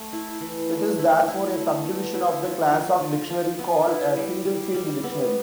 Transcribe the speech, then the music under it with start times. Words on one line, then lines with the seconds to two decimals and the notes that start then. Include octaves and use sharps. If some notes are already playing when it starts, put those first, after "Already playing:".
It is therefore a sub-division of the class of dictionary called a single-field dictionary.
Already playing: A3
0.13 E4
0.41 E3
0.69 A3
0.99 E4
1.28 E4
1.57 A3
1.85 B3
2.14 E4
2.43 F3
2.71 F3
3.01 F3
3.30 F3
3.59 B3
3.88 E4
4.16 G3
4.45 G3
4.74 G3
5.03 B3